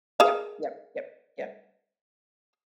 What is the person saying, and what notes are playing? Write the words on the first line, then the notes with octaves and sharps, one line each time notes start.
Yep, yep, yep, yep.
G#4 A#4 F5